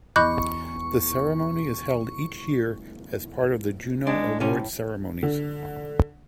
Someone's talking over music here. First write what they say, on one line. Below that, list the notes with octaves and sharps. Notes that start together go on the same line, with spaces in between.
The ceremony is held each year as part of the Juno Award ceremonies.
E2 D#5 B5 C#6 D6 F#6 G6
G#3 D4
A2 C3 C#4
D3